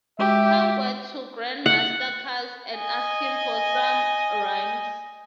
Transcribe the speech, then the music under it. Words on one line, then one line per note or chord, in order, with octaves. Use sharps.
Hank went to Grandmaster Caz and asked him for some rhymes.
G#3 F#4 G4 E5
F#5
D#5 G#5